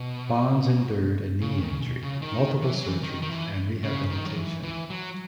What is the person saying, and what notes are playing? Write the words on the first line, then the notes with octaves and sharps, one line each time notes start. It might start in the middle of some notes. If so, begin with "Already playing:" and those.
Bonds endured a knee injury, multiple surgeries, and rehabilitation.
Already playing: B2
C#3
D#3
C#3
B2
C#3
D#3
E3
F#3
E3
D#3
D#3
E3
C#3
D#3
F#3
E3
E3
F#3